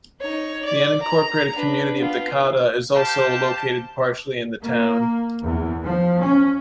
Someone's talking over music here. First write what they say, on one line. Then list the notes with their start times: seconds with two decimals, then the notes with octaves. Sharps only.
The unincorporated community of Dacada is also located partially in the town.
0.21 D#4 C#5
0.65 D5
1.02 A#5
1.54 D4 B4
1.98 B3 F4
2.95 G4 C5 F5 A5
4.63 A#3
5.42 E2
5.84 F3
6.21 C#4